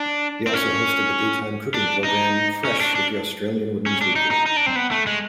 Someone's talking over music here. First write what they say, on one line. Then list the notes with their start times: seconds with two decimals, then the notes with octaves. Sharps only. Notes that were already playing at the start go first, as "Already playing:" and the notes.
He also hosted the daytime cooking programme "Fresh with the Australian Women's Weekly".
Already playing: D4
0.47 C4
0.53 C#4
1.74 D4
2.04 D#4
2.65 C#4
2.81 D4
2.95 D4
3.86 C#4
4.01 D4
4.16 D#4
4.31 D#4
4.46 D#4
4.56 D4
4.66 C4
4.76 B3
4.91 A3
5.07 G#3